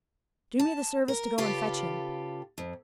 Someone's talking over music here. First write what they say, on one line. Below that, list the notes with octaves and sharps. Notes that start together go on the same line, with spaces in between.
"Do me the service to go and fetch him."
A5
A#4
C#3 F4 G4 A4 B4
F2